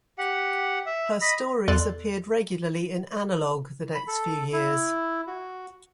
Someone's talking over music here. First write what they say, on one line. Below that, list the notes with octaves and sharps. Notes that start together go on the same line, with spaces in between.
Her stories appeared regularly in "Analog" the next few years.
G4 F#5
E5
D#5 B5
E2 A4 D5 C6 F#6
B5
A4
E4
F#4